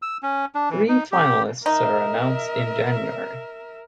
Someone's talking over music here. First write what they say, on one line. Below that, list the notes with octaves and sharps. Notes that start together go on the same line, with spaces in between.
Three finalists are announced in January.
E6
C#4
D4
E3
D#4
G4
D#4 A#4 E5